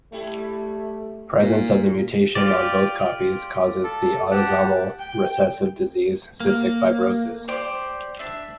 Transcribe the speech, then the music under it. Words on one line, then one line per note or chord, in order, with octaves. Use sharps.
Presence of the mutation on both copies causes the autosomal recessive disease cystic fibrosis.
G3 A3 E4 G4
A#2
F4 G4 D5
A4
G4 F#5 A5
G5
A#3
G4 C5 D5
D4 E5